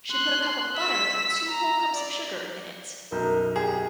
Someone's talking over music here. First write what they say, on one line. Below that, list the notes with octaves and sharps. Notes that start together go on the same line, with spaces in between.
She put a cup of butter and two whole cups of sugar in it.
C6 F#6
E6 B6
A#5
D5
B1 F#2 A#4 G6
G4 G#4